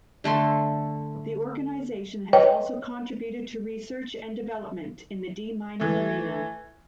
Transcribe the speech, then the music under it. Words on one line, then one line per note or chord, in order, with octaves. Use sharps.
The organization has also contributed to research and development in the de-mining arena.
D3 A3 A4 C6
B4 C#5 D#5 G5
E3 A3